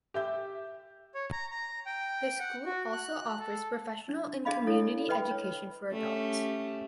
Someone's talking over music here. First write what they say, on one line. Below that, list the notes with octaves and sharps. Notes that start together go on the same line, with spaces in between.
The school also offers professional and community education for adults.
G4 E5 G6
C#5
A#5
A#5
G5
F#5
F#4
F#6
A4
D4
D4 G#4 D#5 F5 B5
E4 A4 C#5
B4 D#5 G5 B5
C#5
A3 C#4 G4